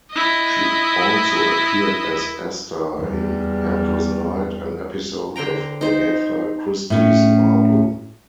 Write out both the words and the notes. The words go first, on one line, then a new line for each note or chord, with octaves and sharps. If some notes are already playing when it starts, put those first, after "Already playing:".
She also appeared as Esther in "Endless Night", an episode of "Agatha Christie's Marple".
E4 D#5
E2 G3
D3 C5 G5 A#5
D#4 C5
A2 C#4